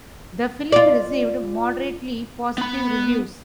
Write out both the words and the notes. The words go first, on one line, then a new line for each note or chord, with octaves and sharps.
The film received moderately positive reviews.
F4 D5
B3 B5